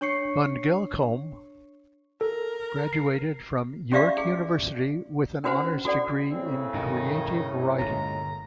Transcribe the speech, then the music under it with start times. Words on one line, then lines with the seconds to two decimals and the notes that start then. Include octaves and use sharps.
Van Belkom graduated from York University with an honors degree in creative writing.
0.01 D4 C#5 C#6 C7 C#7
2.21 A4 A#4
2.93 C7
3.92 C#4 G4 D5 E5 F5 C#6
4.17 G#4
5.44 C#4 D4 F#4 B4 C5 F#5
5.85 F#4 A4 D5 F#5
6.31 A2 C#3 C4
6.74 G2 B2 D#3 D#4
7.79 G1 A#2 G#3 A#5